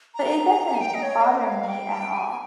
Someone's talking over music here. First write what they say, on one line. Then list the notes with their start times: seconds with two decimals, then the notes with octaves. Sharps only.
But it doesn't bother me at all.
0.14 A#5
0.74 G#5
0.81 G5
0.94 D#5
1.03 C#5
1.20 F5
1.25 D#5
1.46 F5
1.68 G5
2.14 G#5